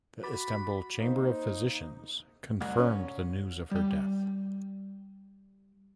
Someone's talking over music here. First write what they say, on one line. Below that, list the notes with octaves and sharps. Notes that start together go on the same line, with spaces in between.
The Istanbul Chamber of Physicians confirmed the news of her death.
F#4 B5 D6 A6
A#3 D#4 C5
C2
C#4
G3 G5